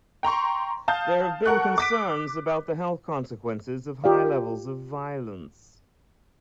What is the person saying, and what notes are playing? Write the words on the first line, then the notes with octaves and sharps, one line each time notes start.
There have been concerns about the health consequences of high levels of violence.
G5 A#5 C6 C#6
F5 A5 D#6 G6
A4 A#4 F#5 C#6 F#6
D6 B6 D7
F4 G4 D5 F5